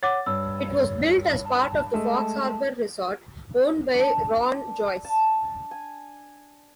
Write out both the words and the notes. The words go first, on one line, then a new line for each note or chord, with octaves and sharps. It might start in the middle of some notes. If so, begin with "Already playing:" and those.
It was built as part of the Fox Harb'r Resort, owned by Ron Joyce.
C#5 F#5 D6 A6
G2 C#5 E6
A5
G#3 A3 A5
D4
A5
G#5